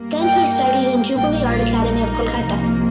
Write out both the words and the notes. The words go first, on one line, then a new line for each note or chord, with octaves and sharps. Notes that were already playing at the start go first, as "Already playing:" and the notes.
Then he studied in Jubilee Art Academy of Kolkata.
Already playing: G2 G3 A#3
G5
G5
A#1 A#2 G3 A#3 G5
F4
D#4
C2 C3 F3 A#3